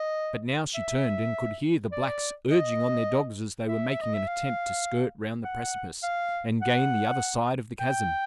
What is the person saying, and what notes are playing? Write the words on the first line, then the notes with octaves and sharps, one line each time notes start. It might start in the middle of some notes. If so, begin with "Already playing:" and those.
But now she turned, and could hear the Blacks urging on their dogs as they were making an attempt to skirt round the precipice, and gain the other side of the chasm.
Already playing: D#5
E5
D5
D#5
E5
D#5
E5
F5
F#5
F5
F#5
G5